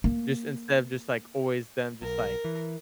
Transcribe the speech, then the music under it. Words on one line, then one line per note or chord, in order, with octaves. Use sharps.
Just instead of just, like, always them just, like,
A#3
B1 A#4
E3